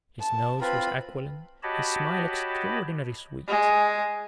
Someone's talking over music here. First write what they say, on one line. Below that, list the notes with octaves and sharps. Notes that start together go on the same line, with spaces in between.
His nose was aquiline, his smile extraordinary sweet.
A5
C4 F4 B4 B5
F#4 G4 C#5 D#5 A5 B5
G#3